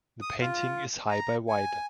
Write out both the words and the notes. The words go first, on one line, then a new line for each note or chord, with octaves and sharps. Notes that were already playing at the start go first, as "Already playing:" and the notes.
The painting is high by wide.
D#6
F4
A#5
G#5